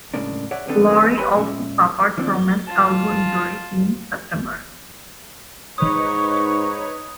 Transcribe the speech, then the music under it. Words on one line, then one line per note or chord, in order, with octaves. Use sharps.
Lowry also suffered from an elbow injury in September.
A2 C#3 G#3 A#3 D4
G#4 C#5 D5 E5 F#5
D2 D3 B3 C4 D4 A4
G4 B4 C#5 G#5 B5 C6
A#2 G#3 C#4 E5
D#3 F3 A#3 C4 D4
F4 A5
G#2 D#4 B4 C#5 C#6 D#6